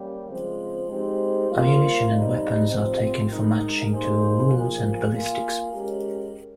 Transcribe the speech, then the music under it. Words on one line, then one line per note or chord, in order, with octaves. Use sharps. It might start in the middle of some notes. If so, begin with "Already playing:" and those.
Ammunition and weapons are taken for matching to wounds and ballistics.
Already playing: G3 A#3 C#4 G4
C#3 F3 G#3 C4
G#3 C4 D#4 G4 C5
G3 A#3 F4 C5
C3 G3 C4 D#4
C3 F3 C4
G#3 D#4 A#4
G3 A#3 D#4 G#4 C5
F3 A#3 F4 G#4
A#3 F4 G#4
G#3 C#4 G4 A#4